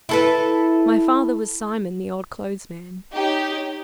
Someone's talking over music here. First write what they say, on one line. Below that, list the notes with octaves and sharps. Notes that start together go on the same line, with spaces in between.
My father was Simon the old clothes-man.
E4 A4 B4
D#4 G4 C#5